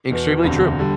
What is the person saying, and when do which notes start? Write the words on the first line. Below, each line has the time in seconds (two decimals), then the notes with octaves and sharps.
Extremely true.
0.10 E2 B2 B3
0.44 E1 D2 C3
0.79 D3 G3